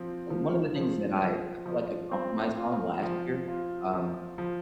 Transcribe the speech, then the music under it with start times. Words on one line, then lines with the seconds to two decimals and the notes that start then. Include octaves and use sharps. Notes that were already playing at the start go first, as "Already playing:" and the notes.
one one of the things that I I felt like I compromised on last year- um,
Already playing: F3 C4
0.30 F3
0.75 F3
1.21 F3
1.66 F3
2.12 C4
2.57 F4
3.03 F3
3.48 F4
3.93 F3
4.38 F3